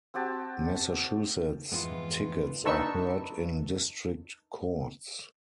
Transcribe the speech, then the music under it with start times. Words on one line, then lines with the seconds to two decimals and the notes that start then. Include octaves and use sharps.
Massachusetts tickets are heard in District Courts.
0.14 C4 F#4 G4 A5
1.72 F2 G#2 E3 G#3 B3 F4
2.65 D4 D#4 A4 B4 C#6 E6